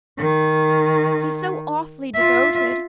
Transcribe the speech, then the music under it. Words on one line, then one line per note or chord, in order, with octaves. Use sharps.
"He's so awfully devoted!"
D#3
F4 E5